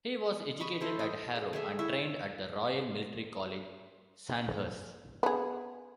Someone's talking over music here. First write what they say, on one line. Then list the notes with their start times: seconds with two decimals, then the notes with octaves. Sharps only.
He was educated at Harrow and trained at the Royal Military College, Sandhurst.
0.60 D#5 B5 C#6
0.81 E4 A4 C5
0.99 D#5
1.35 G#4
1.53 A3 G#4 E5
1.79 E4 C#5 E5
5.23 B3 G#4